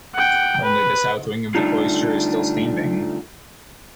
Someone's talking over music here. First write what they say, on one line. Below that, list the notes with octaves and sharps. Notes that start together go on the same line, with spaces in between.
Only the south wing of the cloister is still standing.
F#5 G5
B4
D3 G3 A3 D4 D#4 F4